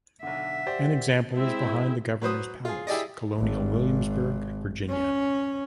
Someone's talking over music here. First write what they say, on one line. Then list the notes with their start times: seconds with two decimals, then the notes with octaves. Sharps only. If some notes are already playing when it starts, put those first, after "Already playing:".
An example is behind the Governor's Palace, Colonial Williamsburg, Virginia.
0.23 B1 D3 E5 F#5
0.66 G4 C5 D5
1.35 G#3 C4 E4 G#4 E5
2.22 F#3 B4 C5 D#6
2.65 F4 G#4
2.87 E4 G4 G#4 D5 D#5
3.39 G#1
4.89 C#4